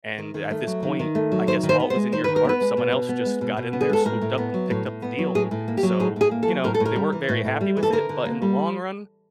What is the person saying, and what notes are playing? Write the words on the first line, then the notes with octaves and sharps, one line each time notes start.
and at this point, I guess, while it was in your cart, someone else just got in there, swooped up, and picked up the deal." So, you know, they weren't very happy with it, but in the long run,
D#3
D#3
A3
F#3
D#3
D#3
A3
F#3
D#3 C5
D#3
C5
B3
C5
G#3
D#3 C5
D#3 B4
A#4
B3 B4
G#3
B2
B2
B3
G#3
B2
B2
B3
G#4
G#3 A4
A2 A#4
A2
B3
F#3
A2
A2
B3
F#3
A2 G#4
A2
A#3
G4
F#3
A2 G#4
A2 G#4
A#3
A4
F#3
A2 A#4
A4
A2
A#4
G3
E3
A2
A2
G3
E3
A4
D3 A#4
D3
A#3
G3